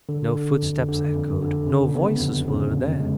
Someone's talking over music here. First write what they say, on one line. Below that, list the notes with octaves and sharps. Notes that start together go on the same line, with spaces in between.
No footsteps echoed; no voices were there.
D3
D3
F2
D3
F2
D3
C#3
B3
F2
C#3
F2
G#3